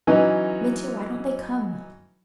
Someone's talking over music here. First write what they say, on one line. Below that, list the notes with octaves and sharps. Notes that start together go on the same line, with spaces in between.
Mitya, why don't they come?
E3 F#3 C#4 D#4